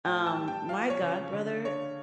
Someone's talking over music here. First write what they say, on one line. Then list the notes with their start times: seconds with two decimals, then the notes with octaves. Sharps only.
um, my godbrother
0.05 A2 G5
0.26 A5
0.37 G3
0.48 G5
0.69 F3 F5
0.90 C#5
1.01 C#3
1.33 D3
1.65 D4 C#5